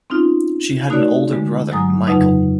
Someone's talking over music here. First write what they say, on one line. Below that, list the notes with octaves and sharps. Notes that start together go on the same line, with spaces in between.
She had an older brother, Michael.
C4 C#4 D#4 F4
A3 D#4 F#4 A#4 C#5 D5
D3 G#3
G2 F#3 G#5 A#5 D#6
F2 C#3 F#3 D#4 B4 F#5